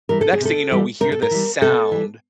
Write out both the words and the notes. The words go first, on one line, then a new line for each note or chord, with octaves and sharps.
the next thing you know, we hear this sound
E3 G3 A#4
A4
G#4
C3 A4
E3 G3
C3 A#4
A4
A#4
E3 G3
C3 A4
E3 G3